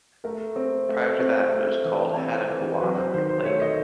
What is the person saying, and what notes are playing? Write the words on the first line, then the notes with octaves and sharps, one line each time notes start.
Prior to that, it was called Hattacawanna Lake.
A3 A#4
C4
A3
C4
A3
E3
C4
E3
F#3 B4
C5
D#3 C5
C5
A3 C#5
D#5